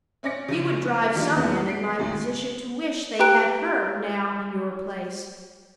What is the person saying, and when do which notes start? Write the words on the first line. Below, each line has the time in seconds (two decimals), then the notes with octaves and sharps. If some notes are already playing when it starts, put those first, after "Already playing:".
You would drive some men in my position to wish they had her now in your place.'
0.23 C4 C#4 D5 A#6 C#7
0.48 C#3 F3 D#7
1.14 D#3 F3 G3 A#3 D4
1.36 E2 E3 B3
1.66 B6 C7 D7
1.99 D#2 A2 C3
3.19 G4 B4 G5 A#5 F#6 D7